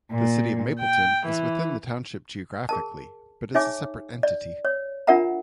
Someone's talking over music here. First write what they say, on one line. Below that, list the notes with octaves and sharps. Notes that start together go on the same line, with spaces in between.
The city of Mapleton is within the township geographically but is a separate entity.
A#2
G5
E3
G#4 A#4 A5
D#4 G#4 C#5 E5 G#5 D6
D5
C#5
D4 F4 A#4 E5 F#5 A#5